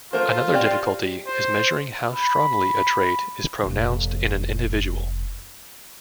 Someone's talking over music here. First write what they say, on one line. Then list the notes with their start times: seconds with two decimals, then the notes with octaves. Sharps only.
Another difficulty is measuring how strongly a trait is pronounced in an individual.
0.13 A3 F4 A#4 C5
0.54 C4 G4 D5
1.27 C5
2.13 B5
3.63 F1 A#2